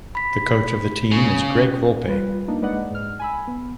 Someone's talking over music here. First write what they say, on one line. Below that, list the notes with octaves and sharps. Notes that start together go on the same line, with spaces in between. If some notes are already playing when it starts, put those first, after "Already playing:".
The coach of the team is Greg Volpe.
B5 B6
C#3
C#4
G3 F4 B4
A#3 D4 D#4
G#3 B4 D5 D#5 F#5
G#2 F6
G#5 B5 E6
B3